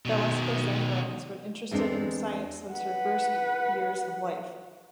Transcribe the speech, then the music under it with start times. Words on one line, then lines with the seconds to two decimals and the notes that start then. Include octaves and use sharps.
Valeska Zambra has been interested in science since her her first years of life.
0.05 B2 D#3
1.71 E2 G#3 C4 D4
2.73 B4 F#5